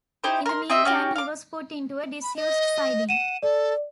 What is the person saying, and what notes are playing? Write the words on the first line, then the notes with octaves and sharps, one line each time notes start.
In the meantime, he was put into a disused siding.
D#4 E4 G4 C5
A#4 C6
C4 D#5 E5
C#4 F#4 G4
F5 D6
B5
D#5
F#5 D#7 E7
A4 D5